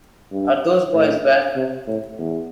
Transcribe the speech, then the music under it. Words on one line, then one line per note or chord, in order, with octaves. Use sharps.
Are those boys bad?
G2
A2
C3
A2
E2